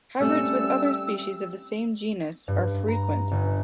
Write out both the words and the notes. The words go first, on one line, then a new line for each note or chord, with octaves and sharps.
Hybrids with other species of the same genus are frequent.
G3 A3 C4 C#4 E6
G2
A#5
G1